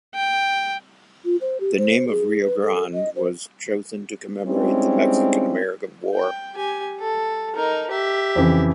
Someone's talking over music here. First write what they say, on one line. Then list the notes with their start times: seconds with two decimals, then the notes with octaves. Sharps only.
The name of Rio Grande was chosen to commemorate the Mexican-American War.
0.15 G5
1.25 F4
1.41 C5
1.60 G4
1.78 C5
2.08 G#4
2.42 B4
2.62 A4
2.94 D#5
3.16 C5
4.45 G3 G#3 C4 C#4 D#4 E4
6.14 G5
6.54 G4 G#5
7.00 A4
7.55 D#4 A#4
7.90 G4 E5
8.36 F2 C#3 E3